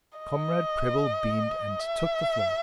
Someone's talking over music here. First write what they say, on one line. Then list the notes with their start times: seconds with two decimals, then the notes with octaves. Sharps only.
Comrade Prebble beamed, and took the floor.
0.18 D#5
1.80 E5